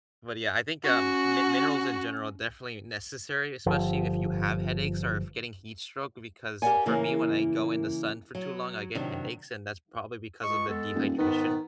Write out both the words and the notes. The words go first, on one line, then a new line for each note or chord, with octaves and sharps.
But yeah, I think, um, mi minerals, in general, are definitely necessary, especially if you have headaches, or if getting heat stroke, because for me, when I go in the sun for too long, I get headaches, and that's probably because of the dehydration,
C#4 F#4
G1 F3
G4 A#4 B4 D5 F#5 G#5
C#3 E3 A#3 A#4
F#3
C3 D#3 F#3 D4
C#2 D#5 C#6
G#3 B3 A4
D#1
G#2 D#3 B3 B4